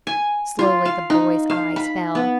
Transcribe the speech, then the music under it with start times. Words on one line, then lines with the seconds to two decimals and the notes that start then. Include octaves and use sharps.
Slowly the boy's eyes fell.
0.07 G#5
0.59 F4
0.85 F5
1.10 D#4
1.50 F5
1.76 B5
2.15 B3